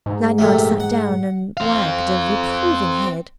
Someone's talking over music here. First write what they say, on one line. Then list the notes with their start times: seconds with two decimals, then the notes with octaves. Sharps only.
Lanyard sat down and wagged a reproving head.
0.06 G#2
0.38 A#1 C3 A3
0.80 F#5
1.57 C4 F5